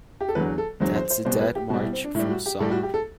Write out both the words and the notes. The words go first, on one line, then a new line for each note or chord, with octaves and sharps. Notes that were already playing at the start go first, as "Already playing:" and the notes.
That's the Dead March from 'Saul'.
G4
A4
E2 D3 F#3 B4
A4
E2 D3 F#3 C5
C5
C5
B2 G3 C5
B4
G4
B2 G3 F#4
E4
C4
D4
A2 G3 E4
F#4
G4
A2 G3 A4
F#4
G4
A4